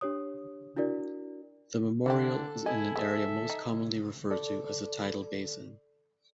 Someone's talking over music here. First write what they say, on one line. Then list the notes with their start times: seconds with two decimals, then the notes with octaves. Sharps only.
The memorial is in an area most commonly referred to as the Tidal Basin.
0.01 D4 G4 C#5 D#6
0.77 D4 E4 F#4 A#4 D5
2.06 D3 E3 C4 D4 G4 A4
2.66 E4 D#5 G#5
2.96 G#3 C5 E5
3.50 D#4
4.31 A4 D5